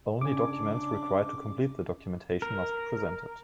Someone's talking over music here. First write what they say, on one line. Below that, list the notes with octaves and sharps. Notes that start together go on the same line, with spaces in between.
Only documents required to complete the documentation must be presented.
C#3 D4 G#5 D6
A#4